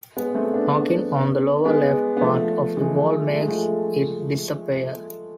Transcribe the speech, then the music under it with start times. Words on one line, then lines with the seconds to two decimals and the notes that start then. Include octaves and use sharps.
Knocking on the lower left part of the wall makes it disappear.
0.17 G#3 B3
0.35 A3 C4
0.54 B3 D4
1.65 G#3 B3
2.17 B3
2.21 F3 A3
2.77 E3 G#3
3.33 A3
3.40 G#3
3.48 F3 A3